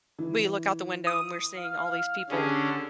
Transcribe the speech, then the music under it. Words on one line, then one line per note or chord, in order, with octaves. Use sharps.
we look out the window and we're seeing all these people
E3
D#6
F5 F6
D3 C#4 G4 G#4